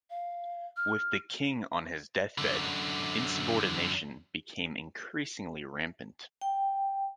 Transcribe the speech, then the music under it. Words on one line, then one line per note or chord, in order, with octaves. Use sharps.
With the king on his deathbed, insubordination became increasingly rampant.
F5
F6
F#2 D3
G5